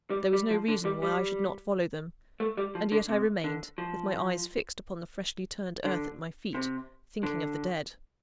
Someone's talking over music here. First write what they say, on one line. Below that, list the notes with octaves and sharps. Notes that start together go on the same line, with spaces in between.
There was no reason why I should not follow them; and yet I remained, with my eyes fixed upon the freshly-turned earth at my feet, thinking of the dead.
G3
G3
F3
D3
G3
G3
A3
G3
F3
D3
C3
D3
F3
D3
C3
D3